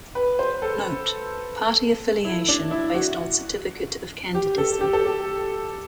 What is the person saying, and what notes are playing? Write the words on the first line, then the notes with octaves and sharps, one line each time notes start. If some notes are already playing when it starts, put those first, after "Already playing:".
Note: Party affiliation based on Certificate of Candidacy.
B4
C5
A4
E4
D4
E4
F#4
G4
A4
G4
A4
G4